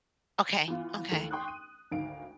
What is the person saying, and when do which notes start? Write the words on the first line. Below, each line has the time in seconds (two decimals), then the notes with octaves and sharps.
Okay, okay.
0.68 E3 B3 F4
1.11 D#2 E3 A3
1.31 G5 C6 C#6 D#6 F#6
1.48 D#7
1.92 G#1 D2 D#3 F5 D7